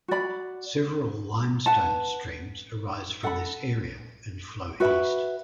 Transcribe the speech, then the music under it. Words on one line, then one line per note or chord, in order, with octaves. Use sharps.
Several limestone streams arise from this area and flow east.
F#4 D5 B5
B4 F#5 A5
A4 F#5 B5
F#4 B4 E5 B5